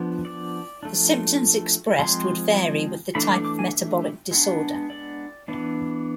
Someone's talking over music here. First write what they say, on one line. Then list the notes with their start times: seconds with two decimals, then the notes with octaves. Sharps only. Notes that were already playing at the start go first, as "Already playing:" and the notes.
The symptoms expressed would vary with the type of metabolic disorder.
Already playing: F3 B3 D4
0.25 D5
0.83 F3 A3 D4
1.99 F3 G#3 C4 C6
3.15 E3 A3 D4 B5
3.30 D6
3.45 D6
3.59 G#5
3.73 E5
4.31 G#3 B3 D4
4.90 D5
5.48 E3 B3 D4